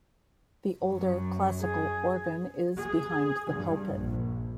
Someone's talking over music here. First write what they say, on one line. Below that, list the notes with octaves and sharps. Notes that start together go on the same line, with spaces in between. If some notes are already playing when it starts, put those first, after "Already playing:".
The older, Classical organ is behind the pulpit.
F#2
G#4
G#4
G2
A#1